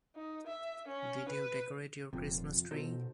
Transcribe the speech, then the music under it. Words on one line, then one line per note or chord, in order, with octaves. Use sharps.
Did you decorate your Christmas tree?
D#4
E5
C#4
B4
D#1 F2 C3 F4
B2 D#4 A4 C5